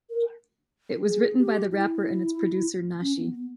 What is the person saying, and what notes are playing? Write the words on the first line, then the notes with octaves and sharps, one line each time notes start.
It was written by the rapper and its producer Nashi.
A#4
G#4
G4
E4
C#4
B3
B3